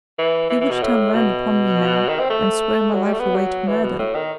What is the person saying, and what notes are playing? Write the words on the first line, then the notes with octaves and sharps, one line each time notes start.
He would turn round upon me now and swear my life away to murder.
E3
E3
E3
B2
A2
B2
D#3
C4
A3
F#3
G3
A3
B3
F#3
E3
B2
A2
D#3